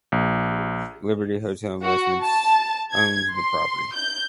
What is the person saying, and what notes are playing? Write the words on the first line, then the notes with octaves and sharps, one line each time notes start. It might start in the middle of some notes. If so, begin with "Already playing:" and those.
Liberty Hotel Investments owns the property.
A#1
F#4
A5
G#6
C6
G6